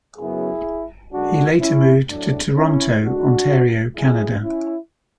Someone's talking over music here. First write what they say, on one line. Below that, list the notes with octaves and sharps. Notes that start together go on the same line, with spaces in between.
He later moved to Toronto, Ontario, Canada.
F#2 C#3 F#3 B3 E4 G#4
F#2 D3 G#3 D4 F#4
C#4 E4
A2 F#3 A3 D4
C#4 E4
F#2 D3 G#3 D4 F#4
G#2 F#3 A3 E4 G#4
C#4 E4